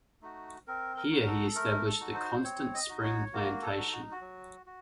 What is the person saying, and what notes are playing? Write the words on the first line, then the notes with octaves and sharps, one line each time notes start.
Here he established the Constant Spring plantation.
A3 D#4 F#4
C4 A#4
A#4
D#4 F#4
A4
A3 A#4
A4
D#4 F#4
C5
C4 C#5
D#5
D#4 F#4
C#5
A#3 F#4
A4
D#4 F#4
F#4
F#4
F#3
F#4